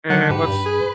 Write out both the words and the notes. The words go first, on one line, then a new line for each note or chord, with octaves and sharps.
And let's
D3 F#3 F#5
G#2 G4 B4
G2
G#4